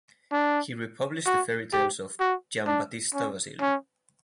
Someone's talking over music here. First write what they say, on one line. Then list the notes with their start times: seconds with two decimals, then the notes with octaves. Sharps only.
He republished the fairy tales of Giambattista Basile.
0.32 D4
1.26 F#4
1.73 G4
2.20 F#4
2.67 D4
3.14 C#4
3.61 C#4